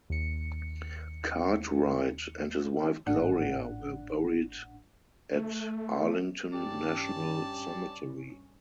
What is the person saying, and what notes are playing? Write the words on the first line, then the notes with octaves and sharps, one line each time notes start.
Cartwright and his wife Gloria were buried at Arlington National Cemetery.
D#2 C#7
G#1 A2 D4 F#5
A3
G2 C#4 G4 D5 A5